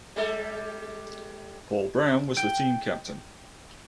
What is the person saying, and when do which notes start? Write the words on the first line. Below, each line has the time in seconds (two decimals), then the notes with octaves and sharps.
Paul Brown was the team captain.
0.16 G3 G#3 A4
2.37 G5